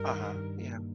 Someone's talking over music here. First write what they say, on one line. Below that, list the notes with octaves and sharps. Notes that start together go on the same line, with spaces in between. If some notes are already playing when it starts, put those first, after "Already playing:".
Uh-huh, yeah.
Already playing: G2 A#4
D#3
G2
A#3